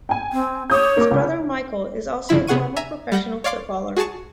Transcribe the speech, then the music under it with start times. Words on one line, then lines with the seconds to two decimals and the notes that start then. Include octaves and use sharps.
His brother Michael is also a former professional footballer.
0.09 G5 G#5
0.33 C4
0.70 C#5 D6 D#6 G6
0.97 A#3 D6
1.11 C#2
2.29 G1 C#3 F3 E4 B5
2.47 C3 B3 G#4 F#5 C#6 D#7
2.76 E5 G#5 A#5 G#6
3.12 G3 F#5 G6 A#6
3.44 C#5 D5 F5 C6 D6
3.97 F#4 G#4 G#5 A5 C#6